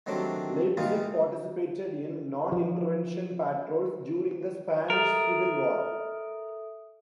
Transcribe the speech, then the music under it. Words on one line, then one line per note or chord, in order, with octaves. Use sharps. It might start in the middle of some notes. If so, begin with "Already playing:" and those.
"Leipzig" participated in non-intervention patrols during the Spanish Civil War.
D#3 F#3 G3 A3 C4 D4
A#2 E3 G3 G#3 D#4 F4
F3
A4 A#4 E5 D#6